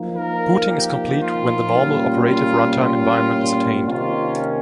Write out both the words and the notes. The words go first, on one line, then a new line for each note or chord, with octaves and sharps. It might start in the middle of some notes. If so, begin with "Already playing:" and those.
Booting is complete when the normal, operative, runtime environment is attained.
Already playing: F3 A#3 D#4
A#4
G4
F4
A#2 G3 C#4
F4
F4
C3 D#3 A#3 C#4 F4